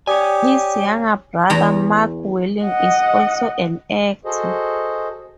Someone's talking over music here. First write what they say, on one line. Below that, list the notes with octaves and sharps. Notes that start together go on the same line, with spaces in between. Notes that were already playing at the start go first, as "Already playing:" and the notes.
His younger brother, Mark Welling, is also an actor.
G4 C#5 D5 G#5 D#6
E2 A#5
D#5 F#5
F#4 G#4 A4 C5 D#5